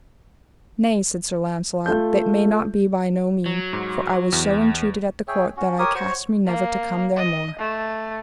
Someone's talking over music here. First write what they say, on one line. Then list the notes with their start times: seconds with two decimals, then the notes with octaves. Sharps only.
Nay, said Sir Launcelot, that may not be by no mean, for I was so entreated at the court that I cast me never to come there more.
1.86 A3 F4 G6
3.46 F#3
3.73 G#2
4.32 E2
5.28 G#4 C#5 E5 G5
5.57 C#4 F#4
5.79 G4 A#4 C#5 D#6
5.94 F#4 C5 C#5 C#6
6.46 A#3
7.16 D#5
7.59 A3